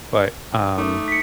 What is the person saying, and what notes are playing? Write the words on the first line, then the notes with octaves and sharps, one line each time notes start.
But, um
A3 D#4 D6 D#6
B6 C#7